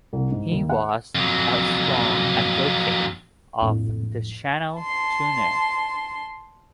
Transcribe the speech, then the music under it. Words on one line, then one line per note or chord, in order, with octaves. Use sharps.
He was a strong advocate of the Channel Tunnel.
C2
G#2
D#2
F#5
F2 F#3
A#1 F2 A2
A5 C6